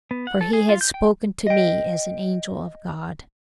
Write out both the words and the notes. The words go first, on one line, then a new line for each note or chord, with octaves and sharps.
For he had spoken to me as an angel of God.
B3
F#5
A4
G#4
F4
G6
G5
D#5 G5